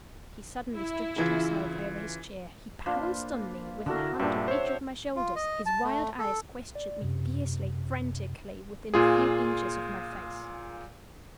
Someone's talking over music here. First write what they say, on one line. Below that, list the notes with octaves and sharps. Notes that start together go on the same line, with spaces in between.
He suddenly stretched himself over his chair: he pounced on me, with a hand on each of my shoulders; his wild eyes questioned me fiercely, frantically, within a few inches of my face.
E4
C#3 E3 F4
A#3 D4 F4 B4 C5
D3 D4 E4 F#4 A4 A#4
G2 A#2 C4 D4 E5
C5 C#5
F4
D#5
A5
A3
A4
D5
F#2 C3
A#2 F4 G#4